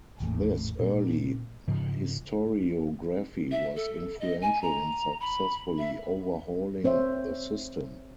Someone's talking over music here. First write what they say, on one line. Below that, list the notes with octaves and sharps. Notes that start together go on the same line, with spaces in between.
This early historiography was influential in successfully overhauling the system.
G#1 E2 A2
A#2
G#2 C#3 F3
E5
A4
D#5
G#5
A#5
B5
E5
C4 C5 C#5 E5